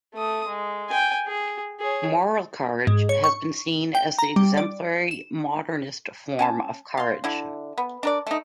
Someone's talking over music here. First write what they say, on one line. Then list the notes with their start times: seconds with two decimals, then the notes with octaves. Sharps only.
Moral courage has been seen as the exemplary modernist form of courage.
0.14 A3 D#6
0.47 G#3
0.89 G5 G#5
1.27 G#4
1.80 G#4 C#5
2.87 G#2
3.09 C#5
3.24 C#6
3.95 G5
4.19 A#5
4.36 G3
4.57 D5
5.11 E7
6.39 C#4 G#5 A5
6.97 F5 C6
7.24 D3 E4
7.78 B3
8.03 D4 A#4 D5
8.27 A3 D#4